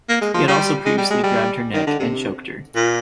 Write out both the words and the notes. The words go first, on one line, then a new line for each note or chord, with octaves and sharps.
He had also previously grabbed her neck and choked her.
A#3
G#3
F3
G3
G#3
G3
G#3
G3
D#3
D3
C3
A#2